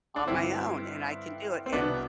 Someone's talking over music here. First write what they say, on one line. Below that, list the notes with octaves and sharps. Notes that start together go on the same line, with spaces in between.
On my own, and I can do it, and
D4
G2 D3 C4 E4
C4
C2 B2 B3 D4